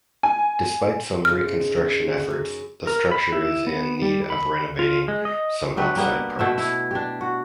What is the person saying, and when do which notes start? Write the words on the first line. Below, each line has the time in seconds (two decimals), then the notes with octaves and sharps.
Despite some reconstruction efforts, the structure is in need of renovating some outside parts.
0.23 G#5
1.25 G#2 C#3 F6
2.30 F#2
2.87 A#4
3.12 B5
3.32 E4
3.67 B3
4.02 G3
4.30 B5
4.79 F4
5.08 G#3
5.25 D#5
5.76 F#3 D4 G4 B4
5.96 G3 A#3 B3
6.39 B2 A3 E5
6.58 E4
6.91 D4 G4
7.21 F#4